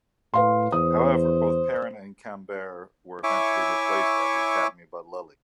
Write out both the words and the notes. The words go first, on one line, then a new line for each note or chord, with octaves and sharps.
However, both Perrin and Cambert were eventually replaced at the academy by Lully.
A2 B4 F5 C6
E2 C5 D#6
E4 C#5 E5 G#5 C#6 D6